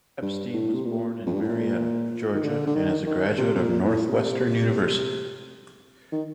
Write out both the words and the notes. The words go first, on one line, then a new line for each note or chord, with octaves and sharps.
Epstein was born in Marietta, Georgia and is a graduate of Northwestern University.
G2
A2
C3
A#2
F2
G2
A2
A#2
D#3
D3
D3
D#3
D#3
C3
C3
A#2
A2
C3
D#3